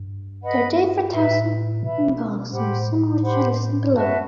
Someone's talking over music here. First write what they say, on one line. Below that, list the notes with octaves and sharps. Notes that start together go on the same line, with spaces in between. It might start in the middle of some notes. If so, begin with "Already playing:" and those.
There are different types of embolism, some of which are listed below.
Already playing: G2
B4 D#5 F#5 B5
A2 B4 E5 B5
B2 B4 E5 B5
A2 G4 C5 F#5 B5
G4 C5 F#5 B5
G2 F#4 B4 E5 A5